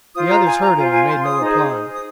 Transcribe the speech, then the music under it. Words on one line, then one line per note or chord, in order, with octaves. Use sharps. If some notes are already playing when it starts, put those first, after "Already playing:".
The others heard him and made no reply.
F4 C5 D#6
A#5
G#5
A#5
F4 C5 G#5
G#5
C6
D#6
D#4 G#4 C5
D#6